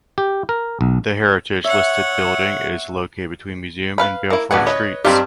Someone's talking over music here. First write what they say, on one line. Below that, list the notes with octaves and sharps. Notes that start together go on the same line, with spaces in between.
The heritage listed building is located between Museum and Beaufort Streets.
G4
A#4
B1
C#5 E5 F#5
B4 F5 B5
A#3 E4
A1 D2 B3 F#4 G#4 F#5
B4 C#5 D#5
G2 G3 C4 D#4 G4 F5